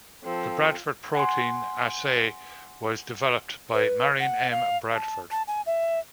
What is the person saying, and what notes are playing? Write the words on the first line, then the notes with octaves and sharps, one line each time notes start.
The Bradford protein assay was developed by Marion M. Bradford.
F3 C4 A4
F#5 G#5 C6
B4
F#5
F5
A5
A5
G#5
E5